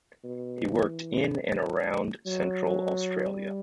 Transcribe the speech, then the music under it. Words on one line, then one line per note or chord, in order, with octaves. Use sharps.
He worked in and around Central Australia.
B2
E3
F#3
G3